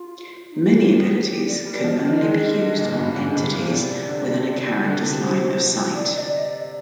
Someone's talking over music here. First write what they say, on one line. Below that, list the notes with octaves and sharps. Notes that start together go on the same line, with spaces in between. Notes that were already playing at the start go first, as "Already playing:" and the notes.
Many abilities can only be used on entities within a character's line of sight.
Already playing: F4
D#4
F4
A#3 G4
G#4
G4
D5
G3
F3 D#5
D5
D#3 D#5
G#3
G3
D3
A#2
G#2
G2
G#2
C3
A#2
C5
C3 D5
C3
D3
D3
C3
D3
C3
C5
D3 D5
D#5
D5
D#5
D5